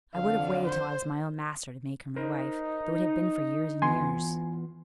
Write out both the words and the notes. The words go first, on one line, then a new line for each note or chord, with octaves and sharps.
I would have waited till I was my own master to make her my wife, though it had been for years and years.
F2 D3 F5
C5
D#4 A#4 C5
E3 B3 F4 G#5 C6